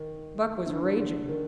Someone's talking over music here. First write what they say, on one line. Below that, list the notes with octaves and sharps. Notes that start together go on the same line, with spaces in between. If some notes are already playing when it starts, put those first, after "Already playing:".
Buck was raging.
Already playing: D#3
D3
D3
D#3